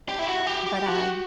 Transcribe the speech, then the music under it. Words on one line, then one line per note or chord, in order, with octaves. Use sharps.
but I
G4
E4
F#4
G4
G4
F#4